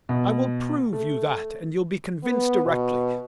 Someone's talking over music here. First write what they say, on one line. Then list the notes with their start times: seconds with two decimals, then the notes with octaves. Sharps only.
I will prove you that and you'll be convinced directly....
0.09 B2
0.93 A3
2.24 B3
2.65 B2